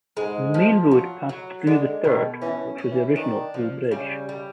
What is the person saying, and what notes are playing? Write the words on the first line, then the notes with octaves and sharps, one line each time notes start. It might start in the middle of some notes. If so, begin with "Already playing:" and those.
The main road passed through the third which was the original Bull Bridge.
G#2 G#3
F3
F#3
F#3
D3 G#3
B2 D#3
E3 C#4
C#4
E3
D#3 D4
F3
C#3 G3
G3